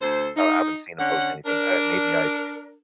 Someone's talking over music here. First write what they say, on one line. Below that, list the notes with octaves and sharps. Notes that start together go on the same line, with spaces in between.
uh, I haven't seen him post anything, uh, maybe I
D2 A4 C5
D#4
D3 C#4 F#5
D4 A#4